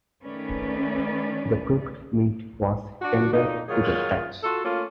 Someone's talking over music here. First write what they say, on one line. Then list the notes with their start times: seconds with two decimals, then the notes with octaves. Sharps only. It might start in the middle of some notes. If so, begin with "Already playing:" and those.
The cooked meat was tender to the touch.
0.25 D#3 A3 C#4 B4 D5
3.02 D4 F#4
3.33 F2 A#2 D#4
3.68 A#2 D#3 F#3 F4 G#4
4.44 F4 F#4 A4
4.65 A3 A#3 C#4 F4